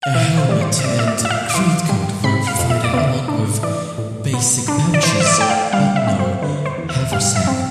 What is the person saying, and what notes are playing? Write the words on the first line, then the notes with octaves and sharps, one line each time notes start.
A helmet and greatcoat were provided, along with "basic pouches" but no haversack.
F5
E3 E5
C5
G3 D5
C5
E5
C3 D5
E5
D5
F2
E5
F5
D6
E3 C6
G3
C3 B5
F5
F2
E5
D5
B3 E5
D4
E3 D5
A2
B3
D4
D5
E3 C5
E5
D5
A2 G5
F5
G3 F5
E5
C4
C5
D3 B4
C5
E2
E5
G3 F5
E5
C4